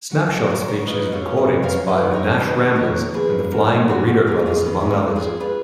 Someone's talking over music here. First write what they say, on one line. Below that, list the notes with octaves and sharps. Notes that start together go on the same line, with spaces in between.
"Snapshots" features recordings by the Nash Ramblers and the Flying Burrito Brothers among others.
F#3 F#4
F#4
C#3 F#4 A#4
A#4 C#5
F4 B4 D#5
C#5 F5
C#4
B4 D#5
F#3 C#5 F5
B4 D#5
D#3
A#4 C#5
D#3 B4 D#5
A#3 A#4 C#5
F3 G#4 B4
G#2 F#4 A#4
F4 F#4
F#4
A#3 F4 G#4
F4 G#4
D#3 G#4 B4
G#4
F#4
F2
F4 G#4
F4 G#4 B4